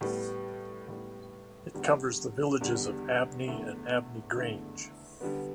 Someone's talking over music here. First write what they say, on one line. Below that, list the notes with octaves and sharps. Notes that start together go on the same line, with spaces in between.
It covers the villages of Abney and Abney Grange.
A2 G3 B3
A2 G3 B3
E2 D3 G3
E2 D3 G3
E2 D3 A3 E4
E2 D3 A3 E4
D3 G3 B3